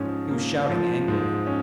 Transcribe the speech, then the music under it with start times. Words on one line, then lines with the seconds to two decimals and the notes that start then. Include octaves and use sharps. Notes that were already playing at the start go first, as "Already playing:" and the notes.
He was shouting angrily.
Already playing: G#2 F3 C#4
0.31 A#3
0.70 F3
1.08 G#2
1.46 C#4